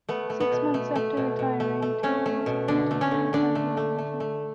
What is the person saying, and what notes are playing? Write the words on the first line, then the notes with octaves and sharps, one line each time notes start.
Six months after retiring, Taylor was appointed Derby County manager.
A3 B3
A3
B3
B2
A3
A3
B2
B2
A3
A3
A3 C#4
A3
B2
D3 D4
A3
C#4
D3
D3 D4
A3
A3
A3
A3